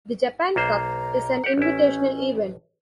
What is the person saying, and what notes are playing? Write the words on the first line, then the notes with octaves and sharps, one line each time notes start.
The Japan Cup is an invitational event.
B1 A#3 C5 A#5
G4 F#5
A1 C#4 E4